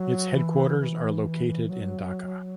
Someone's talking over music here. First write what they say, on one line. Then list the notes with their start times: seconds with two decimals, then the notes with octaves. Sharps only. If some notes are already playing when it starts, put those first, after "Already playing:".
Its headquarters are located in Dhaka.
Already playing: F#3
0.34 E3
0.79 E3
1.69 F#3